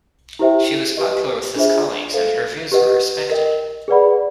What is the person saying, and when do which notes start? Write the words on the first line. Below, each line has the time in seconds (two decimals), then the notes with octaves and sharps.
She was popular with his colleagues and her views were respected.
0.39 E4 G4 C5 E5 G5
0.97 G4 B4 D#5
1.56 D4 F4 G#4 C5 E5
2.14 A4 C5 F5
2.72 G4 B4 D#5 F#5
3.30 A#4 D#5 G5
3.88 G#4 B4 D5 F#5 B5